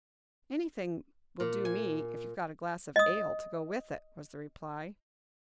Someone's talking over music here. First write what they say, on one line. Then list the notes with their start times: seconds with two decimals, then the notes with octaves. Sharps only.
"Anything will do me, if you've got a glass of ale to go with it," was the reply.
1.40 A#2
1.65 G#5
2.96 D#5 D#6